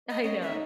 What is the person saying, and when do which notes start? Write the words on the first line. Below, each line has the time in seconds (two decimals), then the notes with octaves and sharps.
I know.
0.10 D#5
0.23 C#4 D#5
0.42 E5
0.51 D#4